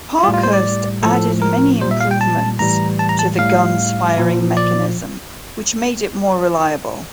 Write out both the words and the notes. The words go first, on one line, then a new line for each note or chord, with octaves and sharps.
Parkhurst added many improvements to the gun's firing mechanism which made it more reliable.
E4
A2 G3 F4
F4
C5
D5
A2 F3 A4
A#4
A#2 G3 C5
E5
F5
G5
A5
A2 E3 G3 A#5
A5
A#5
A5
A2 G3 F5
A#2 F3
D5